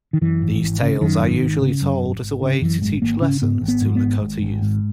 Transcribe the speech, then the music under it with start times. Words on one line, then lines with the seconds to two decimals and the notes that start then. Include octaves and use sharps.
These tales are usually told as a way to teach lessons to Lakota youth.
0.13 D#3
0.21 F#2 E3
0.42 G#1
0.62 G#1
0.82 C#3
1.01 F#2 D#3
1.22 G#1
1.42 G#1
1.62 C#3
1.82 F#2
2.02 G#1
2.22 G#1
2.42 C#3
2.61 F#2 E3
2.82 G#1 G#3
3.02 G#1 A#3
3.21 C#3 C#4
3.42 G#2 B3
3.61 G#1
3.68 B3
3.82 G#2
3.96 B3
4.02 G#1
4.21 G#2
4.42 G#1
4.62 G#2